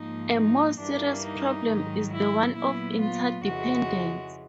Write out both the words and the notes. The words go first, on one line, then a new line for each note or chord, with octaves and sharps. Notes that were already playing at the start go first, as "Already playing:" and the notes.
A more serious problem is the one of interdependence.
Already playing: G#2 F3 A#3 D#4
D#4
G2 E3 G3 A#3 D4
D#4
G#2 D#3 F#3
E4
A#2 F#3 B3 E4
F4
F2 C#3 E3 G#3 F#4